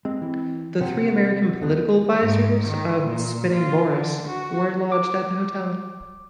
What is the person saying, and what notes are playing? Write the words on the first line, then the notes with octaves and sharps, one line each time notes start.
The three American political advisers of Spinning Boris were lodged at the hotel.
G#3 C4
E3
C3 F#5
D#2 B3
G#2
D#3
A#2
F4
D3
F#4
D6